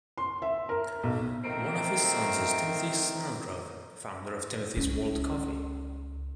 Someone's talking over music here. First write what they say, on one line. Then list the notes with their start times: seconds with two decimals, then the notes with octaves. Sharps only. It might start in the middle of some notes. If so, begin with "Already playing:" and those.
One of his sons is Timothy Snelgrove, founder of Timothy's World Coffee.
0.18 C6
0.42 E5
0.69 A#4
1.03 B1
1.44 D#3 F3 A3 C4 A#5
4.77 C#2 C#4